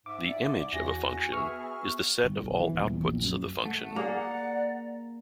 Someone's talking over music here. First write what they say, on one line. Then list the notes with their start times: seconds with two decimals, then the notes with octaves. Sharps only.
The image of a function is the set of all outputs of the function.
0.06 G#2 E5 D6
0.28 D5 E5
0.72 E2 F#4 G#5 A#6
1.32 B3 G#4 E5 C#6 F6
2.24 G1
2.37 B1
2.60 E3
2.75 D#1
2.89 E2
3.04 A#1
3.24 F#2
3.65 A3 F#5
3.96 A#3 G#4 D5 A#5